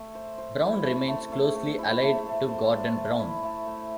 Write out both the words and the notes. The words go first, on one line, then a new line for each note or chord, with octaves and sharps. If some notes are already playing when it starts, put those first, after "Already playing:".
Brown remains closely allied to Gordon Brown.
Already playing: A3
C5
C5
E4
A3
A3
A3
A3
E4
A3
A3
C5
A3
A3
E4
A3
A3